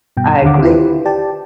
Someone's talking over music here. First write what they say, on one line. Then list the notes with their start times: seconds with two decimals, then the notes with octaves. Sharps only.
I agree.
0.17 G2 B2 G5
0.42 D#2 D3 D#3 F5 F#5 D6
0.63 E4 F4 G4 B4 C5
1.05 G4 D5 G5 A5